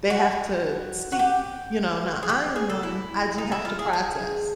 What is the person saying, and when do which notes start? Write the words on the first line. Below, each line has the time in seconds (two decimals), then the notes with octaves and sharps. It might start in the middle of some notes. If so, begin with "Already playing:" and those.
they have to steep, you know, now I am one, I do have to process,
0.10 F#4
1.12 F#4
1.19 G4
2.23 G#4
2.29 G4
2.56 G#4
2.70 A4
2.83 E4
3.38 D#4
3.52 E4
3.65 F4
3.79 G#4
3.93 G#4